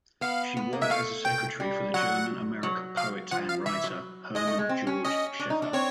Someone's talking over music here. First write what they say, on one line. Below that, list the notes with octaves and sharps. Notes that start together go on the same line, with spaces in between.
She worked as a secretary for the German-American poet and writer, Herman George Scheffauer.
B3 F5
B3
A#3
G#3 E5
A3 F5
G5
G3
F#3 F#5
F#3
F5
F3 F#5
F5
E3 E5
F#3
G#3 D#5
A3
G#3
C4
C#4
C#4 D#5
D4
D#4
D4
C4 C#5